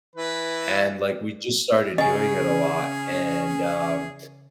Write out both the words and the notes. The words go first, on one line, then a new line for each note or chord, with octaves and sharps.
and, like, we just started doing it a lot and, um,
E3 B4
C#3 C#4 G#4 D#5 G#5